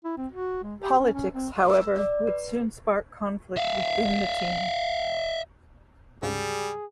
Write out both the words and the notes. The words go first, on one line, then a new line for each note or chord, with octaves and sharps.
Politics, however, would soon spark conflict within the team.
E4
C4
F#4
G#3
G4
C#4
C#4
C4
E6
D5
B4
E5 F5
D2 G#2 C#3 G3 G#4